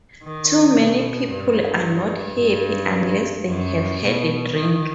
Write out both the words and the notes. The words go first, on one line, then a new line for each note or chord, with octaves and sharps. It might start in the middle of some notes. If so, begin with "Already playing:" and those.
Too many people are not happy unless they have had a drink.
D#3
B2
G2
G2
F#2
B2
D#3